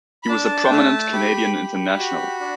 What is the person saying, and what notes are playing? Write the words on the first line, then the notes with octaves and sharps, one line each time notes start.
He was a prominent Canadian international.
B5
D4 A5
G5
A3 A5
G4 B5
G4
F#4
D4